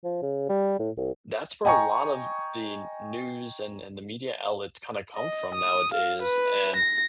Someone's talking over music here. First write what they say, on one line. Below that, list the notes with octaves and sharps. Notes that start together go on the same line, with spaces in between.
that's where a lot of the news and and the media outlets kinda come from nowadays, and
F3
C#3
G3
A2
C2
D#5 G5 G#5 A#5 C#6
D#5
D#6
F5
B4
A#6